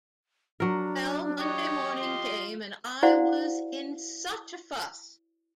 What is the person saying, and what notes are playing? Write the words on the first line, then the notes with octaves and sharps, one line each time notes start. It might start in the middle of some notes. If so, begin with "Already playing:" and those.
Well, Monday morning came, and I was in such a fuss!
F#3 D4 A#4
G4 C#5 D#5
F4 C6
E4 F#4 C5 D5 F5 F#5